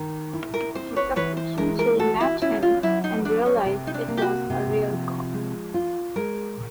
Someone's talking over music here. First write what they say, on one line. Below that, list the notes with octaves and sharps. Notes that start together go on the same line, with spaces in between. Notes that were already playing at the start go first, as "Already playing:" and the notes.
She subsequently met him and realised it was a real call.
Already playing: D#3
E4
A#4
C4 C5
B4 C#5
E3 B4 C#5
C5
G#3 A#4
A#4
F#4 A4
E4
C#4 E4
F4
F#3 E4
D#4
A3 D4
C#4
C3
D#4
D4
A#3
G4
F#4
C3
F3
G#3
F4
G#3 A#4